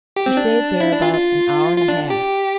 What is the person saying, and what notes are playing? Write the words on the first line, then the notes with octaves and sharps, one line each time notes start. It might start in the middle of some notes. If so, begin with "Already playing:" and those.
She stayed there about an hour and a half.
G4
C4
D4
E4
D4
F4
F4
F4
D4
G4